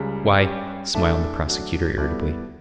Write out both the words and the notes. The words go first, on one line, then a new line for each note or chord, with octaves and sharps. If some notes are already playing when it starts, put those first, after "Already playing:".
"Why?" smiled the prosecutor irritably.
Already playing: C#2 C#3 G3
G3 C#4 G4
E3 A3 D4 A4 E5
F#3 A3 D4 F#4
G3 B3 E4 A4 D5